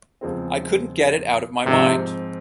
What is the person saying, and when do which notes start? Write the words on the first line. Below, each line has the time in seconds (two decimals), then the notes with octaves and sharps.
I couldn't get it out of my mind.
0.21 E2 C#3 F3 G#3 C4
1.66 G#2 C3 F3 C4